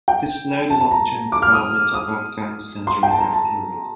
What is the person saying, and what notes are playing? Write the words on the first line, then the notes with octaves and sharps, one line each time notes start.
This slowed the long-term development of Afghanistan during that period.
G5
A5
A5
A#5
D6
F6
D#6
D#6
C6
G5
A5
A#5
A5